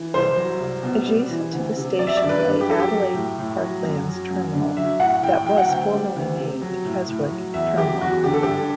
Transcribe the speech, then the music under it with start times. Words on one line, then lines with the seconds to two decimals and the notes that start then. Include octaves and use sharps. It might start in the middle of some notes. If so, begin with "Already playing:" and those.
Adjacent to the station lay Adelaide Parklands Terminal, that was formerly named Keswick Terminal.
Already playing: E3
0.14 C2 C5
0.36 F#3
0.60 C2
0.83 B2
1.06 G3
1.29 E3
1.53 D2
1.76 C3
1.99 F#3 D5
2.07 E5
2.17 D5
2.22 G2
2.29 B4
2.45 G2
2.61 G4
2.68 F#3 A4
2.79 G4
2.91 F#3
3.14 A2
3.38 A2
3.61 F#3
3.84 F#2
4.08 F#3
4.31 F#2
4.53 D3
4.77 F#3 E5
4.99 A2 F#5
5.23 A2 G5
5.45 F#3 G5
5.58 F#5
5.69 D2 G5
5.92 G3
6.16 D2
6.39 C3
6.62 F#3
6.85 A2
7.08 A2
7.31 F#3
7.54 E2 E5
7.77 F#3 G4
8.01 E2 F#4
8.24 D3 G4
8.34 A4
8.43 G2 G4